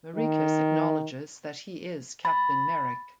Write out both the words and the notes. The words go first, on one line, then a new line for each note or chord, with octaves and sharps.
Merikus acknowledges that he is Captain Merik.
D#3
B5 A6